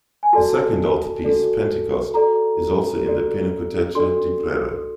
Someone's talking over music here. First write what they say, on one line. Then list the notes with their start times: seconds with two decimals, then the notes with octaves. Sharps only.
A second altarpiece, "Pentecost", is also in the Pinacoteca di Brera.
0.23 G#5
0.33 F#4 A4 D5 A5
1.24 F#4 A4 D5
2.14 F#4 A4 D5 A#5
3.05 F#4 A4 D5
3.95 D4 F#4 A4 D5 C6